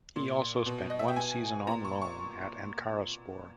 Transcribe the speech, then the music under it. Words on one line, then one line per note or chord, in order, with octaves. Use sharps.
He also spent one season on loan at Ankaraspor.
A#2
B2
D#5
E5
G5
B2 G#5
A#2 A#5
C#6
C#6